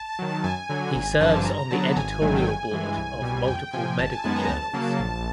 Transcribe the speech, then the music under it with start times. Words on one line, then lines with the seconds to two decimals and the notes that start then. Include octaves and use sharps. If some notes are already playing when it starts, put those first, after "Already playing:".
He serves on the editorial board of multiple medical journals.
Already playing: A5
0.19 D#3 F#3
0.44 F#2 G#5
0.69 D3 F#3
0.94 G#1 G#5
1.20 G2 D3 F3 A5
1.45 G2 A#5
1.71 D3 F#3 B3 A5
1.96 G#1 G#5
2.21 G#2 D#3 F#3 A3
2.36 G5
2.46 G1 G#5
2.71 G2 E3 G#3
2.97 C2
3.22 B2 G3
3.47 F2 G5
3.66 G5
3.73 C3 F3 G#5
3.98 G1 A5
4.11 G#5
4.24 F#2 D#3 G#3 B3 A5
4.36 A#5
4.48 D2 A5
4.73 C#3 F#3 A#3
4.99 A#1